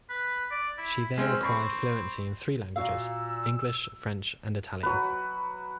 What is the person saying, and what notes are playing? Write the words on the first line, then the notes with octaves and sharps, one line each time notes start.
She there acquired fluency in three languages, English, French, and Italian.
B4
D5
E4
G#3 C4 C#4
C4 B5 C#6
A#2 F#4 F5 E6
F#3 B4